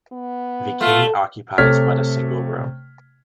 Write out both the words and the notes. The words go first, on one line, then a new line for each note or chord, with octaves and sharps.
The king occupies but a single room.
B3
A3 F4
C3 A3 C#5 F6 G#6 B6